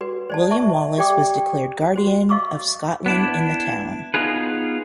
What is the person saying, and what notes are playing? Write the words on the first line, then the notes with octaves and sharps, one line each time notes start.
William Wallace was declared guardian of Scotland in the town.
F#4 B4
C5 D5 A5
E5 A5 C#6
G4 D5 G5 D6 D#6
F#4 C5
D#5 F5 C#6 D6 E6
B3 D4 E4
B3 D#4 F4 G#4 B4